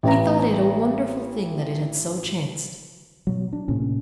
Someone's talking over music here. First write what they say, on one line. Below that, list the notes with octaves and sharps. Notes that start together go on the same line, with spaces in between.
He thought it a wonderful thing that it had so chanced.
A1 B4 A#5
B2 F#3
D4
A2 C3 A#3 C#4